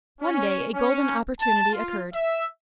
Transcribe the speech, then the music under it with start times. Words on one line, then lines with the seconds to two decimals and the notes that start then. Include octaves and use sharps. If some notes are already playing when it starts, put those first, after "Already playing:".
One day a golden opportunity occurred.
0.21 C#4
0.75 C#4
1.40 A5
1.72 F4
2.13 E5